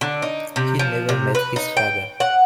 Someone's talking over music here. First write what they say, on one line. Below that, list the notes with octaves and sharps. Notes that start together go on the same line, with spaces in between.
He never met his father.
D3
D#4
C3
F3
C3
B4
D#4
G5
F#5